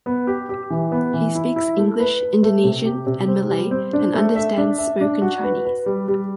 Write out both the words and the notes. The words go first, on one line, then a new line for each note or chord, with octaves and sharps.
He speaks English, Indonesian and Malay and understands spoken Chinese.
B3
G4
G4
E3
B3
E3
E4
E4
A3
B4
B4
A3
C3
G4
C3
C4
G3
C4
D4
A3
E5
D4
E5
D4
F#4
B4
B4
G3
G3